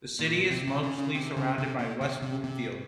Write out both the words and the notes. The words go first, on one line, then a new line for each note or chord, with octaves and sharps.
The city is mostly surrounded by West Bloomfield.
A#2
C3
C3
C#3
C#3
C3
C#3
C3
A#2
C3
C3
C3